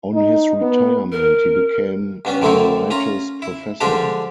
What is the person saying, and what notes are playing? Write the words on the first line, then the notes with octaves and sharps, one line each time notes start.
On his retirement, he became Emeritus Professor.
D#4
B3
A#4
G2 B3 C#4
D3 D#3 A3 C4 D#4 E4
C#4 F4 A#5
E4
D3 F3 G3 G#3 D4 G4